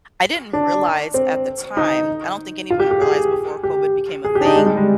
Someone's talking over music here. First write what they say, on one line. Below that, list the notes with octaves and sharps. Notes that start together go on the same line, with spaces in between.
I didn't realize at the time- I don't think anyone realized before COVID became a thing-
D4
C4
D#4
F4
G4
G4
G#4
G4
G#4
G4
D4
D#4
G#3
G3
G#3